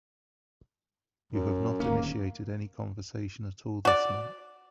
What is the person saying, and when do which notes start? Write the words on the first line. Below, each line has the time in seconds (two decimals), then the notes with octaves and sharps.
You have not initiated any conversation at all this month.
1.33 F#2
1.80 D1 D#2 A#3 C#4
3.85 F#4 D5